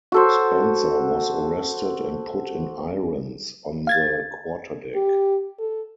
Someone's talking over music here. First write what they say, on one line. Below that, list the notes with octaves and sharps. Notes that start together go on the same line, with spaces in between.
Spencer was arrested and put in irons on the quarterdeck.
F#4 A4 C5
F5 G#6 A6
G4
A4